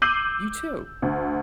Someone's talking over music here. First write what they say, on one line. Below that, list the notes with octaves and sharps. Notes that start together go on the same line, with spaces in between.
You too.
D6 E6 G6 C7 D#7 F#7
D2